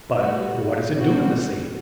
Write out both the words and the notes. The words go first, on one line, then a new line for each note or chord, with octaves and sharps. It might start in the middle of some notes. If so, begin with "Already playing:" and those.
But what does it do in the sea?
A2 G3 B3 F#4
B2 G3 C4 F#4